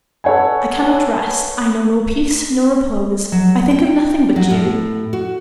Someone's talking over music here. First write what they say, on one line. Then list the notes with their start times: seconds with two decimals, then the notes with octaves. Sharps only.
I cannot rest; I know no peace, no repose; I think of nothing but you!
0.24 A4 B4 C#5 F#5 G#5
3.32 F#3
3.71 G5
4.36 F#3
4.50 A2
5.13 F#4